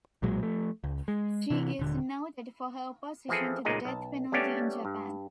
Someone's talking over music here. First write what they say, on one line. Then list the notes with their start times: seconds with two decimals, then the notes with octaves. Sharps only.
She is noted for her opposition to the death penalty in Japan.
0.22 B1 A#2 F#3 G#3
0.41 F3 A3
0.84 C#2
1.08 G#3
1.51 C3 E3
1.79 D#1 D3
3.28 E3 F3 C4 E4 G#4 A4
3.65 C#2 A#2 G#3 D#4 G#4
3.85 B1 A5
4.32 G3 A3 B3 C#4 D4 G4
4.85 G2